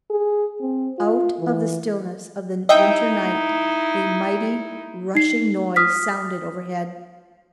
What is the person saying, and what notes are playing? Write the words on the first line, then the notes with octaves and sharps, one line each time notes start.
Out of the stillness of the winter night, a mighty rushing noise sounded overhead.
G#4
C4
F4
E3
D#4 E4 D#5 E5 G5
D#4 C7
D#6 F6 B6